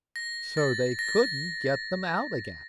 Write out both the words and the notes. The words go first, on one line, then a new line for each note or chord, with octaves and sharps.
So they couldn't get them out again.
A#6
A6
A#6